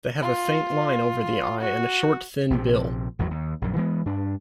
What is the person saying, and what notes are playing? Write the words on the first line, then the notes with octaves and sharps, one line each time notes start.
They have a faint line over the eye and a short thin bill.
F4
F#4
A#1 C3 F3
G#1 E2 D#3 F#3
D#2
A#1 F#2
E3 G#3 B3
G2 D4